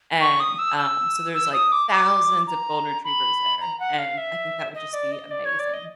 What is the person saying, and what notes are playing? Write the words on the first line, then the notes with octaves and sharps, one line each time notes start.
And, um, so there's like thousands of golden retrievers there, and I think that would just be amazing.
C#6
D#6
E6
E6
E6
D#6
D6
D6
A#5
B5
A#5
F#5
F5
E5
D#5
D5
D#5
D5
C#5
D5
D#5